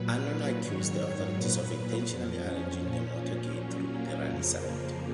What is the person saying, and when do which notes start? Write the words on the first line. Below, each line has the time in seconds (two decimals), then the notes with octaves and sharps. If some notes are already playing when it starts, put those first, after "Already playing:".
Anon accused the authorities of intentionally arranging the motorcade through the rally site.
Already playing: A#2 F#3 B4
0.62 G#2 D#3 F#3 C#5
1.35 A#2 F#3 B4
2.09 F2 F3
2.45 C#4
2.81 A#2 F3 C#4
3.54 A#2 F#3 C#4
3.90 A#3
4.26 F2 C#3 F3